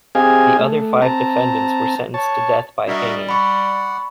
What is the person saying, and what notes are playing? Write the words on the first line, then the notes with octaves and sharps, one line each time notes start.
The other five defendants were sentenced to death by hanging.
C4 G4 G#4 D#5 F5 G#5
A3
C4 A5 A#5
C#5 A5
G3 D4 F#4 A#4 D#5 E5
D5 F#5 B5 C#6